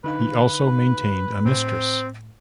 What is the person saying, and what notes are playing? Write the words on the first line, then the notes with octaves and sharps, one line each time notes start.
He also maintained a mistress.
D3 D#4 B4 F5
A2 C4